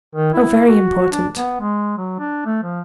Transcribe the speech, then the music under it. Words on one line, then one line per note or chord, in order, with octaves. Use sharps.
"Oh! very important."
D#3
E4
F#4
D4
B3
G#3
F#3
D4
A3
F3